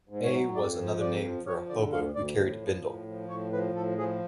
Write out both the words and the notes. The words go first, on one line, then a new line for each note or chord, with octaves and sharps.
A was another name for a hobo who carried a bindle.
G#2
C#5
F#3
F2 D5
F3
F2 D5
F3
F3 C#5
D3 D5
D2 F5
D2 D5
A2
F3
A2
F3
A2 C#5
F3 B4
A2 A4
F3 G#4